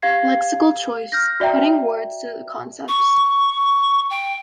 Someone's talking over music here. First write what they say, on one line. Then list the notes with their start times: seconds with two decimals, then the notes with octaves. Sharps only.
Lexical choice: Putting words to the concepts.
0.02 G4 F5 G#6 C7
1.12 F6 G6 A#6
1.40 F#4 D5 E5 G5 A#5
2.88 C#6
4.10 G5